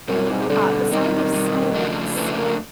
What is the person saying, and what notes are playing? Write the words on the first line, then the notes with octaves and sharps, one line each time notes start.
uh, The Sound of Silence.
F#2 B2 G3 C4
G#2
B2 D3 G3 C4
B2 D#3 G3 C4
B2 G3 C4
C#3 F3 A3 D4
C#3 E3 F3 A3 D4
A#3